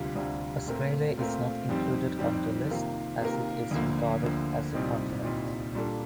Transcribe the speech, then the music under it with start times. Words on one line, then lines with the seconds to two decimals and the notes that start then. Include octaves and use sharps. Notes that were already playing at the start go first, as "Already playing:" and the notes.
Australia is not included on the list as it is regarded as a continent.
Already playing: D2 C3 G3 D4 F4
0.15 D2 C3 G3 D4 F4
0.67 A#2 A3 C4 F4 A#4
1.17 A#2 A3 C4 F4 A#4
1.69 F2 D#3 G3 C4 G4
2.19 F2 D#3 G3 C4 G4
2.70 C3 D#3 A#3 F4 A#4
3.20 C3 D#3 A#3 F4 A#4
3.71 D2 D3 F3 A#3
4.23 D2 D3 F3 A#3
4.73 C2 A#2 G3 C4 D#4
5.23 C2 A#2 G3 C4 D#4
5.75 A#2 G3 D4 A4